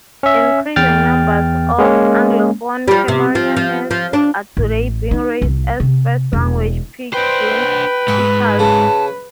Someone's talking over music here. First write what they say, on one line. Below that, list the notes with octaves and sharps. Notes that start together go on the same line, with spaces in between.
Increasing numbers of Anglophone Cameroonians are today being raised as first-language Pidgin speakers.
C#4 E5
E2 G5 F6 A6
G#3 A#3 C#4
F3 G3
C3
F3
F3
F3
D4
A1
D#4
C2
C3
E1
D4 B4 C5 G5
G#2 E5
C#3 A5